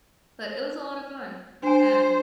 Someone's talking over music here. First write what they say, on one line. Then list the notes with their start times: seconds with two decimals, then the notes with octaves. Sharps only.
But it was a lot of fun. And
1.63 D4 C5 G#5